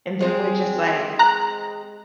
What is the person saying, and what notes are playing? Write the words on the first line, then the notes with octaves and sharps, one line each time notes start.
and then we're just, like,
G#3 C4
A#5 F#6